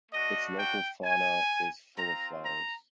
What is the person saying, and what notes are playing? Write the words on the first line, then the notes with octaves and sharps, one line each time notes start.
Its local fauna is full of flowers.
A3 D4 F#4 D#5
G5
G#5
C4 F4 A#5
A#5